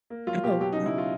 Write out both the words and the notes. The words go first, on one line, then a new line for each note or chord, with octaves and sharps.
Oh. Mm.
A#3
F#3 F4
B2 G4
F#3 G4
D#4
C#3
E4
F4